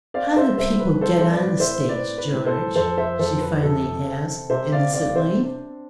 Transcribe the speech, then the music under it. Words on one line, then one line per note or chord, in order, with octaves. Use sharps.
"How do people get on the stage, George?" she finally asked, innocently.
C4 D5 F5
C5 E5
C2 C5 E5
B4
C4 A4 C5
C5
B4 D5
A2
C5 E5
C4 B4 D5
B4
A2
A4 C5
F2 A4 C5
C5 E5
F2 A4 C5
B4
C3 A4
C4
C3 C5 E5
D5 F5
C4 D5 F5
C5 E5
D4